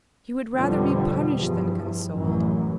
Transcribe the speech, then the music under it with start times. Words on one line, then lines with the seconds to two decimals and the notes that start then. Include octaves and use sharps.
He would rather be punished than consoled.
0.55 F2 B2 D3 F3 G3
1.35 E2 G2 F3
2.14 A1 F#2 E3 F#3